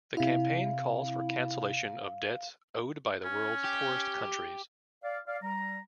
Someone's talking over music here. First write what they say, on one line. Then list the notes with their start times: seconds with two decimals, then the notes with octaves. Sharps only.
The campaign calls for cancellation of debts owed by the world's poorest countries.
0.17 C3 E4 F5
3.25 C#4
3.64 G4
5.03 D5 F5
5.27 D5 F5
5.42 G3 A#5